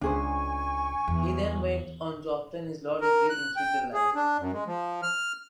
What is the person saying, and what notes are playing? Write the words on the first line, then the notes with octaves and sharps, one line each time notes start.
He then went on to obtain his law degree in Switzerland.
C#2 D4 G#4 C5 G#5 C#6
E2
A#4
F#6
G5
G#4
D4
F#2
G#3
F3
F6